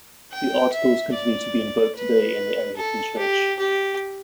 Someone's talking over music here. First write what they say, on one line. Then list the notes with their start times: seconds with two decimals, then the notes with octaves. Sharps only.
The Articles continue to be invoked today in the Anglican Church.
0.32 G5
0.73 E5
1.14 D5
1.96 B4
2.77 A4
3.18 G4
3.59 G4